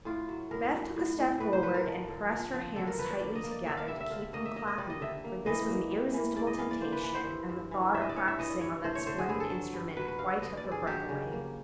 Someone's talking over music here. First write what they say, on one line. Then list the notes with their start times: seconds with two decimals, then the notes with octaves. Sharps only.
Beth took a step forward, and pressed her hands tightly together to keep from clapping them, for this was an irresistible temptation, and the thought of practicing on that splendid instrument quite took her breath away.
0.05 A2 F4
0.29 F#3
0.51 A2 A#4
0.73 F#3
0.96 A2
1.19 A2
1.40 A2 B4
1.53 C5
1.63 F#3 B4
1.74 A#4
1.86 F3
2.08 D3
2.31 F3
2.54 F3
2.76 D3 A4
2.87 A#4
2.98 D3 B4
3.05 C#5
3.10 D5
3.21 A#3 D5
3.35 D#5
3.44 A#3
3.51 D5
3.66 D3 E5
3.77 F5
3.88 G3 E5
4.00 E5
4.11 D3 F5
4.22 E5
4.33 A#3 D#5
4.45 E5
4.56 A#3 D#5
4.67 D#5
4.78 G3 D5
4.90 D#5
5.01 D3 E5
5.24 A#3
5.46 E3 D#5
5.68 A#3
5.91 G3
6.14 E3
6.36 G#2 D5
6.47 D#5
6.58 E3 F5
6.71 D5
6.81 A#3 C5
6.93 B4
7.03 E3 B4
7.15 C5
7.26 G2
7.49 G2
7.71 E3
7.94 G2 E5
8.02 D#5
8.09 D5
8.16 E3 C#5
8.28 E5
8.39 E3 D#5
8.50 D5
8.61 G2 C#5
8.84 A3 C5
8.95 C#5
9.07 D3 C5
9.18 G#4
9.29 G2 G#4
9.40 A4
9.51 F#3
9.74 G2
9.97 F#3 B4
10.08 B4
10.19 G2 F5
10.42 D3 D#5
10.57 D5
10.64 G2
10.71 G#4
10.87 F#3 G4
11.09 C#3
11.32 A#3